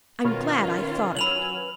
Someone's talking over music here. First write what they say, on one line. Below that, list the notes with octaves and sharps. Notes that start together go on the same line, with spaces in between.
I'm glad I thought of it.
B2 D#3 C#4 F4 A#4 B4 C#5 F6
F#3 G#5 B5 E6 F7 F#7